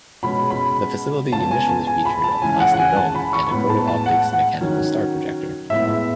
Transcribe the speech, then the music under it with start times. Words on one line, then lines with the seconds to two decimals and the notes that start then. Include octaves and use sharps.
The facility initially featured a plaster dome and a Goto Optics mechanical star projector.
0.23 B2 G#3 C#4 B5
0.50 B5
1.32 C#3 G#3 B3 A5
1.51 G#5
1.69 A5
1.87 G#5
2.05 B5
2.24 A5
2.41 C#3 E3 G#3 C#4 G#5
2.60 F#5
2.74 F#5
2.78 G#5
2.96 A5
3.15 B5
3.33 C#6
3.51 A2 G#3 B3 B5
3.69 A5
3.88 A5
4.06 F#5
4.33 F#5
4.61 D#3 F#3 C#4
5.70 A2 G#3 B3 E5
5.89 E5